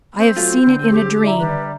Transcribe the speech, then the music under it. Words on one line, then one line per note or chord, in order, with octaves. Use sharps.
I have seen it in a dream.
C4
F#3 A3 F4
D3
G4 G#4
E4 D5 E5 A#5
G3 B4